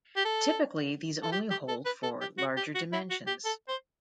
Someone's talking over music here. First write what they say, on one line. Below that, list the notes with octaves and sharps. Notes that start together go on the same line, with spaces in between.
Typically these only hold for larger dimensions.
G4
A4
A4
G4
G4
A4
B4
A4
G4
F#4
G4
F#4
E4
F#4
G4
A4
C5